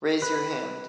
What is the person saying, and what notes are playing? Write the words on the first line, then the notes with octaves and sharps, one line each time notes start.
Raise your hand.
B4